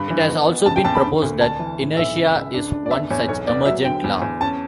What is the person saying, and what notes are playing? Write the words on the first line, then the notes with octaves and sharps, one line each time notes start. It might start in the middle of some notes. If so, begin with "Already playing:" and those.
It has also been proposed that inertia is one such emergent law.
Already playing: G2 D3 B5
E3
B3
B3
C#3 A5
G5
E2 A5
B5
D3
D2
D2 A5
E3
A2
B1 E5
C#2
C#2
D4
D4
D5
E2 E5
E2 C#5
B1 C#5
B3 D5
F#3 E5
D3 G5
E2
E2
C#4 A5